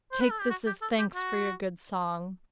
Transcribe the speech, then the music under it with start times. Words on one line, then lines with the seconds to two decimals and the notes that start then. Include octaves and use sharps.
"Take this as thanks for your good song."
0.12 C5
0.21 B4
0.30 A4
0.41 G4
0.50 F#4
0.66 G4
0.82 A4
0.99 G4
1.15 F#4